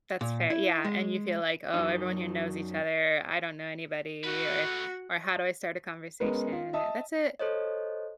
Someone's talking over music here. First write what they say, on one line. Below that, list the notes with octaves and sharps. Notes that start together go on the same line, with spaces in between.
That's fair yeah, and you feel like, "Oh, everyone here knows each other. I don't know anybody," or or, "How do I start a conversation?" That's a
A#2
E4
G#3
F#2 F#3 D#4
A3 F#4 B4
G#3 B3 C#4 A#4 B4
F4
D#5 E5 A5 D#6
A4 C5 C#5 D#5